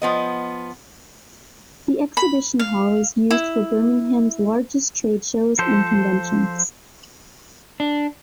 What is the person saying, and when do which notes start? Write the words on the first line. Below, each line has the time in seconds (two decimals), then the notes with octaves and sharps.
The Exhibition Hall is used for Birmingham's largest trade shows and conventions.
0.02 F3 B3 D#5
2.17 B5
2.59 F5
3.31 E4
5.59 F3 A4 C5
7.80 D4